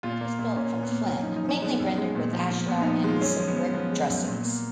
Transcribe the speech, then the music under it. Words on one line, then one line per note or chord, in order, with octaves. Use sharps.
It is built from flint, mainly rendered with ashlar and with some brick dressings.
A#2 F4
A#3
A#2
A#2 C#4
A#2
B3
A#3
F#2 C#4
D#4
F3
D#4
F3 C#4
G#3 B3
F#2
G#3
A#2
F3
F3
A#2 B3
D#4
F3
G#3 F4
F#2 C#4
F3
B3
F3
F3 B3
G#3
F#2
A#2
A#3